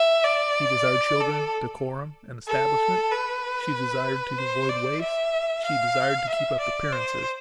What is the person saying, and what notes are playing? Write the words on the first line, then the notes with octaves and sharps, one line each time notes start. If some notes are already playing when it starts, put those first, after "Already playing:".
She desired children, decorum, an establishment; she desired to avoid waste, she desired to keep up appearances.
Already playing: E5
D5
A4
A4
B4
C5
D5
E5
F5
E5
D5
C5